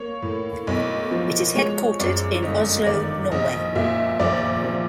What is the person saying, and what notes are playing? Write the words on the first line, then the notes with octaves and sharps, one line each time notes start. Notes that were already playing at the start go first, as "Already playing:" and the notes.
It is headquartered in Oslo, Norway.
Already playing: A#3 C#5
A2
B1
F3
G#3 C#5
F#2 D5
G1 D#5
D#3 D5
A#1 D#5
A#2 E5
A#1 D5
F3